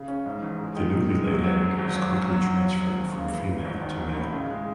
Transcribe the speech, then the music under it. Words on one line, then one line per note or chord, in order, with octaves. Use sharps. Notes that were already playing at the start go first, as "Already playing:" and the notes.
The newly laid egg is quickly transferred from female to male.
Already playing: C#3
C#4
G#2
A1
G#3
D#3
F#2
G#3
F#3
F#3
F#2
G#1
F#3
F#3
F#3
F#3
F#3
G#1
D#2
C#3
E3
A1
G#1
D#3
A1
A2
C#3
G#3